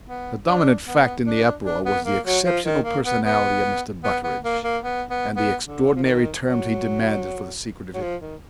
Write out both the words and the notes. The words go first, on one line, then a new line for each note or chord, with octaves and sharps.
The dominant fact in the uproar was the exceptional personality of Mr. Butteridge, and the extraordinary terms he demanded for the secret of his machine.
B3
D4
B3
D4
D4
B3
A#3
F#3
F3
D#3
A#3
B3
B3
B3
B3
A#3
A#3
B3
B3
B3
D3
F3
D#3
F#3
F#3
F3
D#3